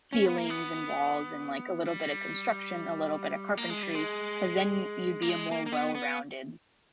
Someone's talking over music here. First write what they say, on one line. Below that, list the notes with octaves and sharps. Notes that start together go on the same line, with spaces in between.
ceilings and walls and, like, a little bit of construction, a little bit of carpentry, 'cause then y you'd be a more well-rounded,
C#4
B3
A#3
B3
G3
A#3
G#3
G3
G#3
A#3
G#3
A#3
A#3
B3
B3